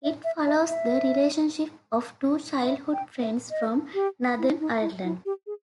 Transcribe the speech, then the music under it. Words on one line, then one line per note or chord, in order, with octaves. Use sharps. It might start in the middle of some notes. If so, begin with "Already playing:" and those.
It follows the relationship of two childhood friends from Northern Ireland.
E5
E5
E5
E5
E5
G5
E5
D#5
G4
E4
D#4
E4
E4
G4
G#4